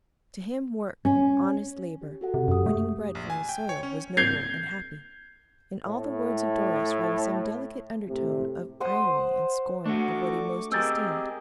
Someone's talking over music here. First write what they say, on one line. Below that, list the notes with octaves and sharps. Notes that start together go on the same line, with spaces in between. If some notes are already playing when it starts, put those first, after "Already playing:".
To him work, honest labor--winning bread from the soil, was noble and happy; in all the words of Doris rang some delicate undertone of irony and scorn, of what he most esteemed.
C#4
G4
F#4 A4 F#5
C3
F#2 G4 D#6
A3
A#1
G#5
G5
C#5
C#4
G6 G#6 C7 F7
A2
A2 C3
C5 F#5 C6 D#6
A3 D4 F#4 C#6 D6
C4 G4 G#4 A#4 D#5 E6 G6 A6